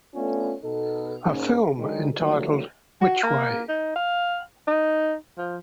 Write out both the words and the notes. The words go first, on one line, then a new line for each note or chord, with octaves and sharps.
A film entitled Witch Way?
A3 B3 C#4 D4 F4 A4
B2 B3 D#4 A4
G#2 A#3 C#4
D3 D#3 F#3 G#3
D3 E3 F#3 G3 A3 A#3
F#4
A#3
D#4
F5
D#4
F3